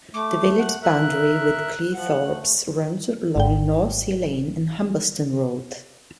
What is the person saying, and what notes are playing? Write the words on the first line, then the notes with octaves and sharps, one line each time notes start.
The village's boundary with Cleethorpes runs along North Sea Lane and Humberston Road.
A3 D6
F#5
A#4 E5 F#6
F3 F#5
A3
G#1 G#2 G5